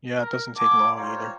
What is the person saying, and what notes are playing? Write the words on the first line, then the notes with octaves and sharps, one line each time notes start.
Yeah, it doesn't take long, either.
A#4
F#5 G#5 A5 D6
G3 A#3 F4 C5 C#5 A#5